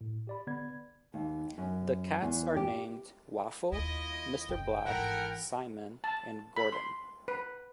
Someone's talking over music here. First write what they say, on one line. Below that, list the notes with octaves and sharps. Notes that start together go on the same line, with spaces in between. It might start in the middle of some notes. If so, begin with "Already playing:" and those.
The cats are named Waffle, Mr. Black, Simon, and Gordon.
A2
G4 D5 B5
D3 B3 D5 B5 G#6
D#2
F#2
E2
G4
D#2 E4 F4 D#5 A#6
F#1 C#3 G5
G#1 E3 E4 A4 A#4 F#5
A5
B5
C6
B4